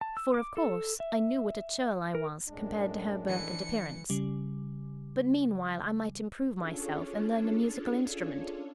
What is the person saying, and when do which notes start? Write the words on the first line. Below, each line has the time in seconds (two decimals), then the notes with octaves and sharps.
For, of course, I knew what a churl I was compared to her birth and appearance; but meanwhile I might improve myself and learn a musical instrument.
0.01 A5
0.17 E6
0.34 D6
0.57 A4
1.00 E5
2.15 A#4
2.48 F#2 A2 G#3 D4
3.29 E3 C#7
4.10 C#3 G3
6.56 C#4 D4 F4 G#4 A4 C#5